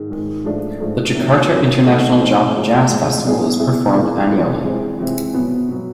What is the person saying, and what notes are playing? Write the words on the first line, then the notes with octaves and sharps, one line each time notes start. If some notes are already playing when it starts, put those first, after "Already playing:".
The Jakarta International Java Jazz Festival is performed annually.
Already playing: G#2 D#3 G#3
G#2 D#3 G#3
G#2 F3 A3 D4
G#2 F3 A3 D4
C3 D#3 F#3 A#3
C3 D#3 F#3 A#3
F3 A3 C4 D#4
F3 A3 C4 D#4
A2 F3 G#3
A2 F3 G#3
B2 G3 B3 E4 G#4
B2 G3 B3 E4 G#4
E3 G#3 C4 F4 A#4
E3 G#3 C4 F4 A#4
C3 E3 G#3 C4 E4
C3 E3 G#3 C4 E4
B2 F#3 B3
B2 F#3 B3